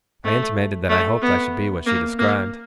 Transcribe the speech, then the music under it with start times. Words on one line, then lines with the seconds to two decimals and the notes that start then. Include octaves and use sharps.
I intimated that I hoped I should be what she described.
0.24 A3
0.89 A3
1.21 B3
1.86 A#3
2.19 A#3